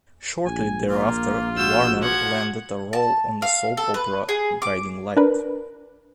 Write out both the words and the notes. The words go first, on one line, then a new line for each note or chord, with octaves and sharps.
Shortly thereafter, Warner landed a role on the soap opera "Guiding Light".
A#1 G#5
A#3 F4
F#4 E6 G6
F3 F#5 G#6
A5
F5
A4
B4
G#4
D6
D4 A#4 B4